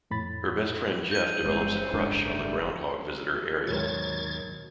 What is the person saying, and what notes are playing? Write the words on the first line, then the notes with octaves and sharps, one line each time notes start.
Her best friend Jeff develops a crush on the "groundhog" visitor, Ariel.
F2 A2 B5 A6
G6 D#7
G1 C#3 E3 G#3 C4
F#1 G#2 G#3 D4
G3 A3
D#2 G#2 B2 F#3 A#4 C#5 G#6 A6